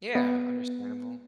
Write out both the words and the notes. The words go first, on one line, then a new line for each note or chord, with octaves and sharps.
Yeah, understandable.
B3